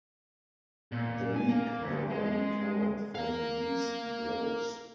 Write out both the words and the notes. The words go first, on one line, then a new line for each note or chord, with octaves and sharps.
The league never recovered from these blows.
A#2
G#5
A#3
D2
G#3
G#3
A#4 F5